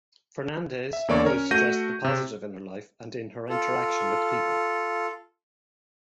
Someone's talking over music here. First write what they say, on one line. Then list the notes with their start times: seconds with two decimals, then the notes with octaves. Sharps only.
Fernandez always stressed the positive in her life and in her interaction with people.
0.93 E5
1.08 E2 D3 A#3 C#5 D5 C#6
1.25 C#4 A#4 C#5
1.51 A3 F#4 F#5 G6 A#6 D#7
2.04 C3
3.49 F4 A4